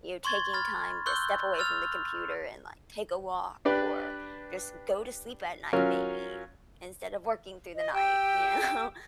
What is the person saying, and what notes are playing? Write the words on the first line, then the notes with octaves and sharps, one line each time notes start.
you know, taking time to step away from the computer and, like, take a walk, or just go to sleep at night maybe instead of working through the night, you know?
C6 C#6 G#6 A6
B5 F6 A6
C6 C#6 E6 F#6 G6 G7
E6 F6 A6 F7
D4 G4 B4 D5
F#3 C#4 F4 A#4
D#5
G4 G5 E6